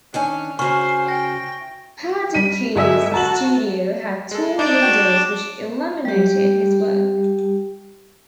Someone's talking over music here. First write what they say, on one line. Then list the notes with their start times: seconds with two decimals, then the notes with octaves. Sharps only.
Parducci's studio had tall windows which illuminated his work.
0.14 D#3 C#4 D4 G#5
0.59 C#3 F#4 C5 G#5 C#6 F6
1.08 G5 A#6
2.34 G3 B6 D#7
2.75 G1 G#3 F#4 G#4 E5
3.14 F#4 A5 A#5 F#7
4.31 G#3 A4
4.59 D4 D#4 D5
4.82 F#4 G5
6.05 G3 G4